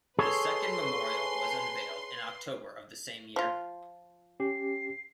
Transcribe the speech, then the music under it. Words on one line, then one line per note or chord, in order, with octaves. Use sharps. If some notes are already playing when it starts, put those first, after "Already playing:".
The second memorial was unveiled in October of the same year.
G#4 A4 B4 C#5 C6
F3 F4
C#4 G4 C7